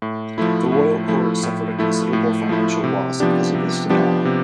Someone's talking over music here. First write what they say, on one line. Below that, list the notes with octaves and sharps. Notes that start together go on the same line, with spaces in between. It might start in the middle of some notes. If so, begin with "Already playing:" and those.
The Royal Court suffered a considerable financial loss because of this denial.
A2
F3 A3 E4
A2
F3 A3 E4
A2
F3 A3 E4
A2
F3 A3 E4
C3
F3 B3 D4 G4
C3
F3 B3 D4 G4
C3